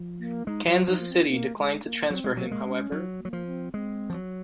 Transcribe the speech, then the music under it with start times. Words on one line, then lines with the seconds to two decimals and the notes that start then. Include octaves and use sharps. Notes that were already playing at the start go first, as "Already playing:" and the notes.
Kansas City declined to transfer him, however.
Already playing: F3
0.19 A#3
0.47 G#3 D#4
0.67 F#3 F4
0.88 F3 D#4
1.00 A#3
1.09 C4
1.28 A#3
1.57 G#3
1.83 A#3
2.10 F#3 C4
2.24 G#3
2.37 F#3 A#3
2.51 G#3
2.65 C#4
2.92 F#3
3.19 A#3
3.25 F#3
3.33 F3
3.46 C4
3.73 G#3 C4
4.10 F3
4.14 F#3